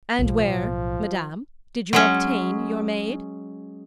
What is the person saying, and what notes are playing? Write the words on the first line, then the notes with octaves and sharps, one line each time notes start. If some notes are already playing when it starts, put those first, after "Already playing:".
"And where, madame, did you obtain your maid?"
B1 A2 F3
F#3 G#3 C#4